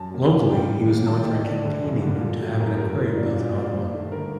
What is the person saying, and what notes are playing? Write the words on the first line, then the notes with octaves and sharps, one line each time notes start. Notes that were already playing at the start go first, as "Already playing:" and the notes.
Locally, he was known for campaigning to have an aquarium built in Ottawa.
Already playing: F#2 A5
F#3 A#3
A#2
G3 A#3 G5
D#2
D#3 G3 A#3
D#2 A5
G5
D#3 A3
D#5
D2 D5
D3 A3
F#2
D3 G3 A#3
A#2
F#3 A3
F#2 A#4
F#3 A3 A#4
A2 C5
F#3 A#3 D5
A#2 D5
G3 A#3 D5
G2 C5
D#3 A3
D2 A#4